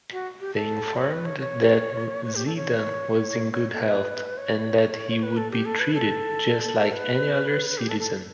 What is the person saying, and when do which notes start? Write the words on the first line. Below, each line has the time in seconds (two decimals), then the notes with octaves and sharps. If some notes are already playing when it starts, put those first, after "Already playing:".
They informed that Zeidan was “in good health”, and that he would be treated “just like any other citizen”.
0.12 F#4
0.40 G4
0.55 A4
0.97 C#5
1.11 B4
1.25 C#5
1.40 C#5
2.25 C#5
2.35 G4
2.46 A4
2.57 C#5
3.52 C#5
3.74 A4
3.81 B4
4.38 C#5
5.23 B4
5.37 A4
5.51 G4
5.66 A4
5.79 B4
5.94 A4
6.93 B4
7.78 G4
7.89 A4
7.99 A4